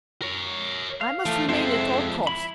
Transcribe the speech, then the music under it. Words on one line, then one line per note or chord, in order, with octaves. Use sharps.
I must remain at all costs!
A#4 C#5
F5
E3 F3 A3
F2 F3 G#3 C5 E5
E4 B5